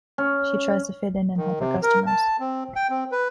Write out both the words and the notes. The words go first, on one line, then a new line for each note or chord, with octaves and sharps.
She tries to fit in and help her customers.
C#4
D#3
C3
A#4
A5
C4
G5
C4
B4